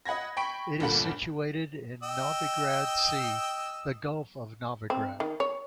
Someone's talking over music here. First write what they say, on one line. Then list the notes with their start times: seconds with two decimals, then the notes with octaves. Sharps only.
It is situated in Novigrad Sea, the gulf of Novigrad.
0.06 D#5 F#5 B5 G#6 A#6
0.37 G5 B5 C#6 B6 D7
0.80 G1 G2 A#2 A4 F#5 B5
2.03 D#5 G5 E6
4.90 C4
5.20 D#3
5.40 C#5